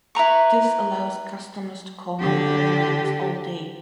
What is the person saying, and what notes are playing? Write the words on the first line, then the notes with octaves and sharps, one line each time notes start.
This allows customers to call mobile lines all day.
E4 B4 A#5 C#6
D3 G4